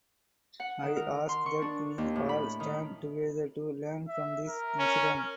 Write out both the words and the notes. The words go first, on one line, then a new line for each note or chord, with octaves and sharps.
I ask that we all stand together to learn from this incident.
F#5
D#3
A#4
C6
C#6
D4
D#2
A2
B5
D#3
E5
A#4
C#4